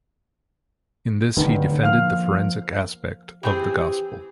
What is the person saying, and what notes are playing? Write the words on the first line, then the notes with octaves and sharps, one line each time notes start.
In this he defended the forensic aspect of the gospel.
D1 G2 D3 D#3
F3 A#3 F5 F6
E3 C4 G4 G#4